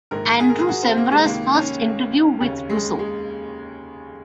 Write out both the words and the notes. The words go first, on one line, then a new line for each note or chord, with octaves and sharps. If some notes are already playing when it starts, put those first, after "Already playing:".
Andrew Sciambra's first interview with Russo.
A#1 G#2 D#3 A#4
G#4
A#4
G#4
F#4
C4
A#3
G#3
C#2 C3 D#3 A#3
C#4
F1 D#2 C#3 C#4
G#3
G#3